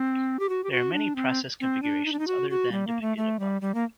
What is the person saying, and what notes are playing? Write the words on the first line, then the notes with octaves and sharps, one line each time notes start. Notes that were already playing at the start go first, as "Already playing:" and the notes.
There are many process configurations other than that depicted above.
Already playing: C4
G4
F#4
G4
F#4
D4
C4
C4
D4
D#4
D4
D#4
F#4
F#4
G3
A#3
A3
A3
G3
G3
A#3